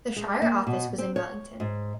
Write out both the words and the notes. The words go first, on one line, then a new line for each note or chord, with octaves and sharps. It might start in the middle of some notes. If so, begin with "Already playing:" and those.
The shire office was in Wellington.
G#3
A#3
B2
C4
C#5
G#2